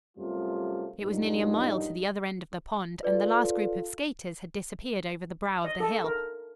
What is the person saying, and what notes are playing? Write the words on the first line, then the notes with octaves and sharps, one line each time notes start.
It was nearly a mile to the other end of the pond, and the last group of skaters had disappeared over the brow of the hill.
F#2 C3 G3 A3 F4
G2 A#2 F#3 D#4
F4 A4 B4 D5
D#5
A4
A#4